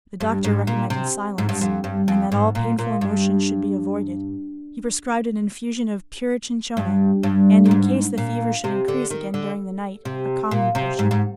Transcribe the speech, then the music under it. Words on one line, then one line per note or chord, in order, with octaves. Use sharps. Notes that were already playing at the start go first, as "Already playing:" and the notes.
The doctor recommended silence, and that all painful emotions should be avoided; he prescribed an infusion of pure chinchona, and, in case the fever should increase again during the night, a calming potion.
G2
G#2
A#2
C3
G#2
G2
F2
G2
F2
G#2
A#2
A#2
G2
G2
G2
A#2
G#2
A#2
C3
D3
D#3
D3
C3
A#2
C3
G#2
G#2